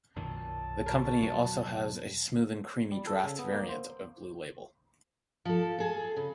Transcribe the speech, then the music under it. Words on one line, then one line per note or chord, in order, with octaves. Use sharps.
The company also has a "Smooth 'n' Creamy" draught variant of Blue Label.
B1 F#2 A#2 D#3 A5
B2 A#4
E2 F#3
G3
A4
C#3
B3
A#3
C5
F3 A4
G#4 A4
C#3